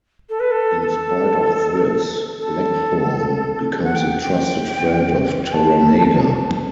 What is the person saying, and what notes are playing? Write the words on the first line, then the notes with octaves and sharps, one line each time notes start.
In spite of this, Blackthorne becomes a trusted friend of Toranaga.
A4
B4
A4
A4
A4
F#5
G5
G5
G5
A5